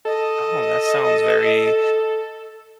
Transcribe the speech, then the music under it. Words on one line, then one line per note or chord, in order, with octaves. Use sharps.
Oh, that sounds very,
A4 D#5